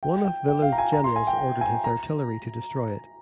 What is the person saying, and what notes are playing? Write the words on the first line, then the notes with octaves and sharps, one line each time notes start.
One of Villa's generals ordered his artillery to destroy it.
G5
G5
G5
F5
A#5
G#5
A#5
C6
G#5
G5
G5
G#5
A#5